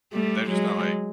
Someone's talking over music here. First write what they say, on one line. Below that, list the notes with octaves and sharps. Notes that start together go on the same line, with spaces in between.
They're just not, like,
G3 A3
F#3 G#3